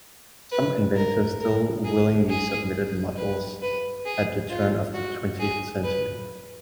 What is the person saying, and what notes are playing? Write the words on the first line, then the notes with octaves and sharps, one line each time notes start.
Some inventors still willingly submitted models at the turn of the twentieth century.
B4
A#4
A#4
G#4
G#4
B4
B4
G#4
F4
F#4
G#4
B4